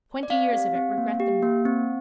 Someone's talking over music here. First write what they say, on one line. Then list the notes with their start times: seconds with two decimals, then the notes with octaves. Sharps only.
Twenty years of it, regret them not.
0.23 D5
0.30 C4 F5
0.53 G4
0.75 C4
0.98 A#3
1.20 G4
1.43 A#3
1.65 C4